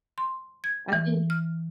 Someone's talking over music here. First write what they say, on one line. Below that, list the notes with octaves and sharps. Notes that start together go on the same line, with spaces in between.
I think
C6
G#6
E3
F6